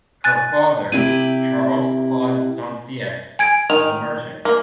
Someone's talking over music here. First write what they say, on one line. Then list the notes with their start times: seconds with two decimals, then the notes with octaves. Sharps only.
Her father, Charles Claude Doncieux, was a merchant.
0.24 G#5 F#6 A6
0.92 C3 E4 G4 D#7
3.39 G#5 G#6 D7
3.70 D#3 F7
4.45 A#3